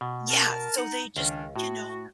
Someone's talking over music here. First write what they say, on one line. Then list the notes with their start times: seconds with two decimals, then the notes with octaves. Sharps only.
Yeah, so they just you know,
0.01 B2
0.29 A#4 A5
0.78 D#4 F#5
1.17 C#2 D#3 C#4 D4
1.56 A2 F#4